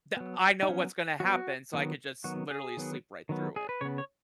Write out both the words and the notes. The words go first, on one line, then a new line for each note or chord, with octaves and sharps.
the I know what's gonna happen so I could just literally sleep right through it.
F#3 B3
D#4
F#3 B3 C#4
F#3 B3 F#4
D#3 F#3 B3
D#3 F#3 B3 F#4
G#4
D#3 F#3 B3
D#3 F#3 B3
G#4
B4
C#3 B3 C#5
C#5